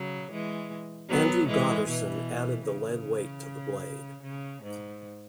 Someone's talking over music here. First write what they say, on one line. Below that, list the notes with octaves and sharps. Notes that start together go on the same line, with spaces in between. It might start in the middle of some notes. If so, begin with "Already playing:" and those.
Andrew Gotterson added the lead weight to the blade.
Already playing: C#3 F#3
E3 G#3
F#3 B3
E3 G#3
B2 E3
C#3
C#3
G#2